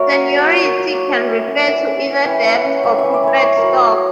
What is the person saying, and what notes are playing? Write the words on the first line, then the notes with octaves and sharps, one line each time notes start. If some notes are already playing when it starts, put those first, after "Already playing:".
Seniority can refer to either debt or preferred stock.
Already playing: A#3 F#4 A#4 C#5 E5
F#3
F#3
F#3
A#4
F#3
C#5
A#3 D5
E3 E5
G3
E5
C#4 F#5
E5
E3 F#5
E5
C#4
E3
E3 G5
E3
F#5
C#4
G3 E5
E3 E5
D5
E3 C#5
E4 B4
F#3 A#4
F#4
F#3